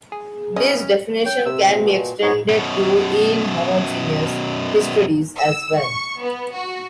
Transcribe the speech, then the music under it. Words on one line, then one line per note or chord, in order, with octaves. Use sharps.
This definition can be extended to inhomogeneous histories as well.
G#4
D2 A2 C#3 C#4 D#5
C#4 G5
C3 E6
A#2
B2
G#2 B3 C#5
F#2 B2
E6
C#6
B3
F#4